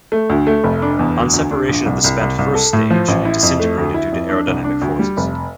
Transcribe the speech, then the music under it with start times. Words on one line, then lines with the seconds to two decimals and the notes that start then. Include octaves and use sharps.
On separation of the spent first stage, it disintegrated due to aerodynamic forces.
0.12 A3
0.30 D2
0.47 A3
0.64 F1
0.82 D4
0.99 E2
1.17 D2
1.33 D2
1.51 D4
1.69 A#1
1.86 C2
2.04 C2
2.21 C2
2.39 C2
2.55 A4
2.73 A2
2.91 F3
3.08 A1
3.25 E4
3.43 F2
3.60 A3
3.78 D2
3.94 E4
4.12 F2
4.29 D4
4.47 C2
4.64 D4
4.82 D2
4.99 G3
5.17 F1